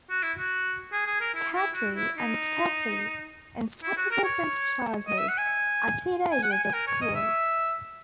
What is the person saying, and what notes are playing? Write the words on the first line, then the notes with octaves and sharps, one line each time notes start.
Kati and Steffi, inseparable since childhood, are teenagers at school.
F#4
E4
F#4
G#4
G#4
A#4
E4
E4
F#4
E4
D#4
E4
F#4
A#4
C#5
D#5
E5
F#5
G#5
G#5
F#5
G#5
G#5
A#4
C#5
D#5
E5